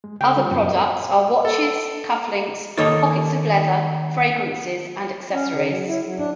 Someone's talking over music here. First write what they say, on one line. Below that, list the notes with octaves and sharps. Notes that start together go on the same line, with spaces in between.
Other products are watches, cufflinks, pockets of leather, fragrances and accessories.
G#3
C#3 A4 C#5 G5 C#6
D3 G3 G#3 F4
F#2 A#2 B3 A#4
F#4 A4 C#5
A4
D#3 A#3 D#4 A4 C#5 D5
C#4
C#3
F#3
E4
F#3
D4